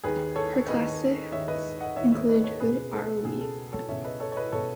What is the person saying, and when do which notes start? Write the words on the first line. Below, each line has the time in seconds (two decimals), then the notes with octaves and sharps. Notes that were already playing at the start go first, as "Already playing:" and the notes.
Her classics include Who Are We?
0.04 D#2 D#3 G#4 B4
0.36 A4 C#5
0.68 D#2 D#3 B4 D#5
1.32 D#2 D#3 C#5 E5
1.48 B4 D#5
1.81 D#5 F#5
1.96 D#2 D#3 C#5 E5
2.12 C#5 E5
2.28 B4 D#5
2.44 A4 C#5
2.60 C#2 B2 G#4 B4
2.92 A4
3.24 C#2 B2 G#4
3.41 A4
3.73 A4 C#5
3.88 C#2 B2 C#5 E5
4.04 B4 D#5
4.20 A4 C#5
4.32 C#5
4.36 B4 D#5
4.52 B2 A4 C#5